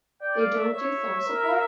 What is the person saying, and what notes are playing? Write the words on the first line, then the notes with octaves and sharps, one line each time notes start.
They don't do phone support?
D5 G5
F5
E5
C#5 E5
A#4